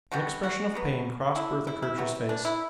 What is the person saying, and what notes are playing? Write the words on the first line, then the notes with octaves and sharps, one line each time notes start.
An expression of pain crossed Bertha Kircher's face.
D3 G3 B3 F#4
F#4
D3 F#3 B3
D3 A3 E4
E4
E4
C3 F#3 B3
D4
E4